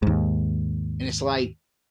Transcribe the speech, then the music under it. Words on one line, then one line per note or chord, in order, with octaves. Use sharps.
And it's like
D#2 G#2